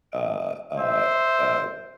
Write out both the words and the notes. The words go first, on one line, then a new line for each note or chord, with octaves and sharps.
uh, uh, uh
C5 E5